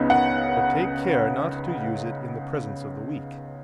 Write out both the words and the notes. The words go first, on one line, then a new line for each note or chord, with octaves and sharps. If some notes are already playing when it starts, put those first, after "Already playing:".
But take care not to use it in the presence of the weak.
Already playing: C#2 C#3 B3 D#4
F#5